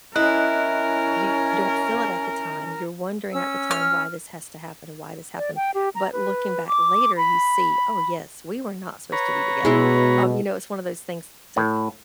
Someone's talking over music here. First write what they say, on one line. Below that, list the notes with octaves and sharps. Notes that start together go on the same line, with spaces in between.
you don't feel it at the time, you're wondering at the time why this has to happen and why this happened, but looking back later, you see, "Oh, yes, we were not supposed to be together," um, you know, it's one of those things, so
C#4 E4 A#4 D#5 F#6
C#4 E6
F6
D5
G5
G4
A#5
B4
D6
B5
B4 C#5 A#5
B2 G#3 E4
A2